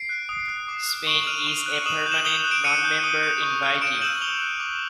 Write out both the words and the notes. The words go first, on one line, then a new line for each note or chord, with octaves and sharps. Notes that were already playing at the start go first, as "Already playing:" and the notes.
Spain is a permanent non-member invitee.
Already playing: C7 D7
F#6
D#6
F#6
D6
F6
C#6 D7 E7
F#7
F6 D#7 F7
C#6 D#7 F7
F#6
D#6 E7 F#7
G6
E7 F#7
D#6 F7 G7
F#6
D7 E7
D#6 C#7 D#7
G6
D#6
G6
C#6
F6
C#6 D7 E7
E6 G6 E7 F#7
D#6 F7 G7
F#6
D6